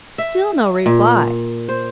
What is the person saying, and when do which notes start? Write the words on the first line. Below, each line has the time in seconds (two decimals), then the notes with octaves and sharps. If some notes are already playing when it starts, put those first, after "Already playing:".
Still no reply.
0.18 E5
0.86 A#2
1.69 C5